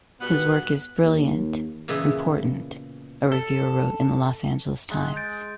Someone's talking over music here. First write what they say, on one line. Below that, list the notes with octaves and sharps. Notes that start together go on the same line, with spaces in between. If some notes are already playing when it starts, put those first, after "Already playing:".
His work is "brilliant, important" a reviewer wrote in the "Los Angeles Times".
B2 G3 B3 F#6
D#2
A#2 C#3 E3 B3 E4 D#5
A4
G#3
G6 A6 D7